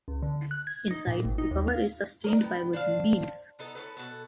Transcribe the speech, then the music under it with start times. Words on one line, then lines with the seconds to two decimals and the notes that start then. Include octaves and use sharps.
Inside, the cover is sustained by wooden beams.
0.08 C#2
0.22 D3
0.51 F#6
0.67 G#6
0.91 D#4
1.07 A#2
1.25 G#1
1.38 D#4
1.51 D#2
1.67 F5
2.24 A#4 C#5 D#5
2.41 B3 G5
2.73 D4 C5 F5
3.59 B3 D#4 A4
3.75 C#4 F4 A4 B4
3.97 B2 F#4 A4